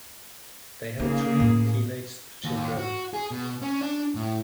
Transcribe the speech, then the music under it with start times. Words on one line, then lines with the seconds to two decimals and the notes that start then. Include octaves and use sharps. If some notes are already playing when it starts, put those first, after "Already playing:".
They have three teenage children.
1.00 C#3 A#3 D#4 G#4
1.40 A2
2.44 D#2
2.77 F#4
3.14 G#4
3.31 B2
3.62 C#4
3.81 D4
4.15 A2